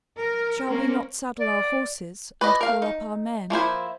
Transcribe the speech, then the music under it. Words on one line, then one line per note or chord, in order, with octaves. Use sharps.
"Shall we not saddle our horses, and call up our men?"
A#4
A#3 C4 C#4 A#4
D5
B4 D5 D#5
A#4 F5
D#4
F3 A#3 E4 C5